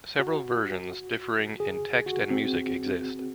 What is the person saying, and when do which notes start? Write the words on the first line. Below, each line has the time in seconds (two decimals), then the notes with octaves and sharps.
Several versions, differing in text and music, exist.
0.19 F#4
1.60 G#4
2.06 F#4
2.31 C4